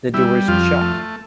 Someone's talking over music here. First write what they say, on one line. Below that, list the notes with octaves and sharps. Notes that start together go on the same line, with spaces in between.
The door's shut.
G3 E4
F2 F4
A3